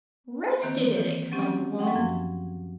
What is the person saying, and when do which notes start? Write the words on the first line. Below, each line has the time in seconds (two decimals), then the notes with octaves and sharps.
'Roasted it!' explained the woman.
0.62 D#3 E3 A#3 C4 C5
0.97 E3
1.32 F#3 C4 C#4 G4
1.79 F#5 G5 C6 C#6
1.94 F#2 F3